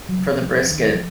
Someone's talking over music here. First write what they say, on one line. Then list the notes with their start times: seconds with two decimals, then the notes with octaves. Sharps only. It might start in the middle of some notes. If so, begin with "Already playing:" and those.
for the brisket
0.09 F#3
0.18 C#3
0.27 F3
0.44 C#2 F3
0.70 C#2 D#3
0.95 F3